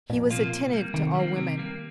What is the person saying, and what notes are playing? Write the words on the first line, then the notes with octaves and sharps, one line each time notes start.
He was attentive to all women.
F2 A#2
C3 F3 A#3 F4
C3
G3 A#3
C3 D#3
G3 A#3
C3
G3 A#3